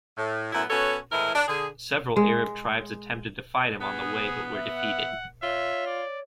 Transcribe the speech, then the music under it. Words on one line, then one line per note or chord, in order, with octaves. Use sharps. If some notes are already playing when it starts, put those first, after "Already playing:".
Several Arab tribes attempted to fight him on the way, but were defeated.
A2
F#2 A2 B3 E4
B3 C#4 F#4 A4 C#5
A2 E3 G#3 E4 A#4
D4
D3 G#4
G#3
B3 G#4
E5 F#5
F4 C#5 E5
D5